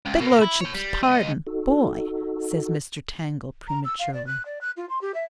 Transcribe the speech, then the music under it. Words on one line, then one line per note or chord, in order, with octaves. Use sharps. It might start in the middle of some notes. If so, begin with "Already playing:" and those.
"Begludship's pardon--boy," says Mr. Tangle prematurely.
C#2
B2 A#3
E4
C#5 G5
G3
C#2 D#5
D#4 F#4 A4
A#5
E6
F5
D5
F#6
D5
F#6
F4
C6
G4
E5